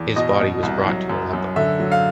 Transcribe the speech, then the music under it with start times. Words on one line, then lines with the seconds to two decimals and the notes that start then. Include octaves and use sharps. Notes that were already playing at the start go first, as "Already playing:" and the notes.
His body was brought to Aleppo.
Already playing: E2
0.16 B2 D#5
0.40 B2
0.63 C2
0.86 F#3
1.10 F#2
1.33 F#2
1.56 D3 E5
1.80 F#3
1.92 F5